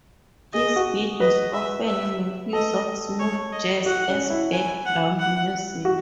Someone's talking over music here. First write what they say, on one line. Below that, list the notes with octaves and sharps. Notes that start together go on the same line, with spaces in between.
His videos often make use of smooth jazz as background music.
G#4 D#5
F#4
B4 D#5
E5
E5
A4 D#5
C#5
D#5
F#4 F#5
C#4
E4
G#5
F#5
F#5
F#4